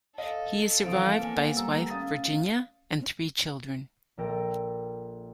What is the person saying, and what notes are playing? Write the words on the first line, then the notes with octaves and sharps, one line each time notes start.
He is survived by his wife Virginia and three children.
A4 D#5 F5
C#3 E3 F3 C4 F5 D#6 D7
A#3 B3 G#5
G3 A#5 E6
D2 C#4 F5 D#6 A6
A#1 A4 A#4 G5 A#6 D7